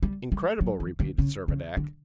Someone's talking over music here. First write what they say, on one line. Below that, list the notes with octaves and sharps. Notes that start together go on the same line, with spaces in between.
"Incredible?" repeated Servadac.
G3
G3
F#3
E3
D3
C#3
C#3
D3